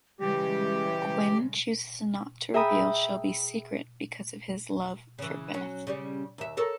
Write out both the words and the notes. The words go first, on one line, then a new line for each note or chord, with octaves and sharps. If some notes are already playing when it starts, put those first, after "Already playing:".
Quinn chooses not to reveal Shelby’s secret because of his love for Beth.
C#3 E3 G3 G#3 G4
G#4 E5 G5 A#5 B5 D#6
C#3 E3
F#3 C#4
C#3 G3 C#4
D#2 E5
A4 A#4 C#5